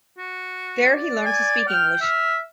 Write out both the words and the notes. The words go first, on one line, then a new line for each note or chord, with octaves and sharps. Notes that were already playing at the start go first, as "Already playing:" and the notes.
There he learned to speak English.
F#4
D5
G#5
G5 F6
E5 F6